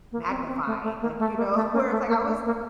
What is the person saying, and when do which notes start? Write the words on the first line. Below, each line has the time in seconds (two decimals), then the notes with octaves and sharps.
magnified, like, you know, where it's like I was
0.12 A#3
0.29 C4
0.47 C4
0.66 A3
0.83 A3
1.01 A#3
1.19 A3
1.36 A#3
1.55 A3
1.73 A#3
1.91 A3
2.08 A#3
2.27 A3
2.45 A#3